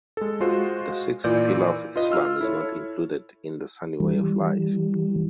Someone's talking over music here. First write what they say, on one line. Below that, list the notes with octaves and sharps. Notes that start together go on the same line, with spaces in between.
The sixth pillar of Islam is not included in the Sunni way of life.
G#3 A4
G#3 F4 F#4 C5
A#2 E3 D5 G6
F4 B4 D#5
F4 E6 F6
E4 A4 C#5
E3 G3